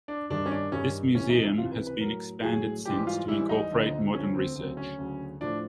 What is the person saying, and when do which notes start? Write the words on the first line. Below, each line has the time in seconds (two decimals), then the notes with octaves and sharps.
This museum has been expanded since to incorporate modern research.
0.08 D4
0.30 G2 D#3 G3 D4
0.46 C#4
0.51 D4
0.72 G2 D#3 G3 C#4
1.15 C#2 C3 E3 C#4
1.29 D#4
1.44 E4
1.58 C#2 C3 E3 F4
1.72 B4
1.87 B4
2.00 A2 F#3 A#4
2.43 A2 F#3 G#4
2.85 G#2 E3 G3 G4
3.07 F4
3.28 G#2 E3 G3 E4
3.49 D#4
3.71 D2 D3 F3
4.13 D2 D3 F3 C#4
4.35 C4
4.56 D2 C#3 F#3 C4
4.77 C#4
4.98 D2 C#3 F#3
5.41 A2 F3 D4